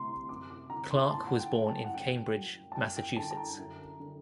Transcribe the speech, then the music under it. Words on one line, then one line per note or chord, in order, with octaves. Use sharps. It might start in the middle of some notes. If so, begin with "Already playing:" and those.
Clarke was born in Cambridge, Massachusetts.
Already playing: D2 C3 A#5 C6
F#2 D6
D6
D3 A#5
C6
A#2 A5
F#5
G5
A3
A5
F#5
F#2 G5
F#3
A5
F#2 G5
G5
D3 A5
A5
A#5
F#2
D3